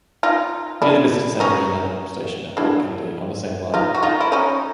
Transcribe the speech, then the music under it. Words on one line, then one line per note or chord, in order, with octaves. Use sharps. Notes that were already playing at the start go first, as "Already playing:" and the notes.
Near the Visitor Center is another station at Port Kennedy, on the same line.
D#4 F4
D4 E4
C#4 D#4
D4 E4
D#4 F4
F#4
D#4 F4
E4
C#4 D#4